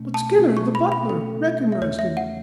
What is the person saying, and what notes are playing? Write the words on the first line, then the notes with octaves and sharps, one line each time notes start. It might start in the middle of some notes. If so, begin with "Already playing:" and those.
"But Skinner--the butler--recognised him?"
Already playing: B2 A3 C#4
A5
B2 A3 C#4
C#6
B5
B5
B2 A3 C#4 A4
E5
E2 C#3 A3 C#5
E5
F#5